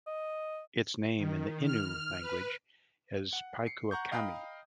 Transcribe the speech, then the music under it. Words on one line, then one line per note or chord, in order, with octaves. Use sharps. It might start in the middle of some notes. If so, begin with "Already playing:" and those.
Its name in the Innu language is Piekuakami.
D#5
D#3
F6
B4
F#5
C7 C#7
F#5 A#5 C#6 G6
D#5 F5 G5 A#5 B5 D#6